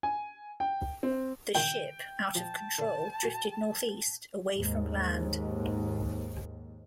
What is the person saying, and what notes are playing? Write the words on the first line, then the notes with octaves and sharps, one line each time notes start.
The ship, out of control, drifted northeast, away from land.
G#5
G5
C4
C#2 D#3 G5
F3 A5
D3
F#4
D#2 G#2